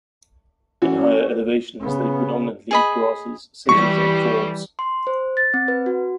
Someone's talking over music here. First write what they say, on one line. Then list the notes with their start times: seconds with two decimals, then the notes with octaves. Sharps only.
In higher elevations, they predominantly eat grasses, sedges, and forbs.
0.82 E3 C#4 F#4
1.80 C#3 B3
2.71 G#4 D#5 B5
3.69 E3 G3 C#6
4.79 C6
5.07 C5
5.37 A6
5.54 C4
5.68 B4
5.86 F#4